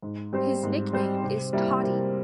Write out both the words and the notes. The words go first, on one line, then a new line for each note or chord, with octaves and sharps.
His nickname is "Toddy".
G#2
G3 C4 G4 C5
G#2
G3 C4 G4 C5
C3
G3 A#3 E4 A#4
C3